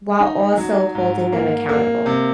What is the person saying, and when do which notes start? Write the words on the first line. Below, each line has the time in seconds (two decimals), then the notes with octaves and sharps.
while also holding them accountable.
0.20 D#4
0.58 F#3
0.95 G#2
1.32 A#3
1.69 A#3
2.06 C3